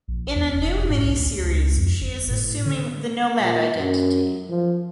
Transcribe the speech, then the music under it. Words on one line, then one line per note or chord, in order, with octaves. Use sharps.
In a new miniseries she is assuming the Nomad identity.
A#1
E2
F1
G#2
B1
D2
C#2
F2
G1
A2
D3
A#2
F#2
F3